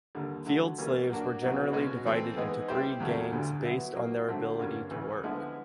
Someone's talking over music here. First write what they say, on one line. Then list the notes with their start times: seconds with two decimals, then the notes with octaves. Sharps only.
Field slaves were generally divided into three gangs based on their ability to work.
0.15 D#2 D3 G3
0.46 D3 F#3 A3
0.78 E3 G3 A#3 C#4
1.10 F#3 A#3 D4 F#4
1.42 C2 B2 F#3 B3 D#4
1.73 B2 G#3 C#4 F#4
2.05 E3 A3 C4
2.36 E3 G#3 B3 D#4
2.68 G3 C4 E4 G4 C5
3.00 E2 C#3 F#3 A3
3.32 D2 D3 G3
3.64 F#3 B3 E4
3.95 F#3 A#3 D#4
4.28 D3 F#3 A3 C4
4.59 G2 D3 G3 A#3 C#4
4.91 C#2 C#3 E3
5.24 D3 F3 G#3 B3 E4